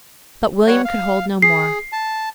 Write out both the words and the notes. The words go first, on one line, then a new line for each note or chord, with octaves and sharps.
But William could hold no more.
G3 C#5 F#5
F5
G#4 C7
A5